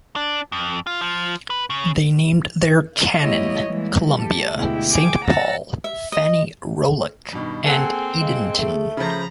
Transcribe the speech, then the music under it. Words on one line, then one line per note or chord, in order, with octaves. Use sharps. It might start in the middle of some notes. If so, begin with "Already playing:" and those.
They named their cannon: "Columbia", "Saint Paul", "Fannie Roulac", and "Edenton".
D4
F2
F4
F3
B4
C#3
G#3 A#3 E4 G4 C#5 D#5
E3 G3 G#3 A#3
G4 A4
D2 B2 G#3 E4 G4
G#4 G5 G#5 D6
F#5 A#5 E6 A6 A#6
E5
D#5
G2 B2 D#3
A#3 C4 G#4 A4 F#5
G#3 F5
A3 G#4
C#3 F3 C5 A#5 B5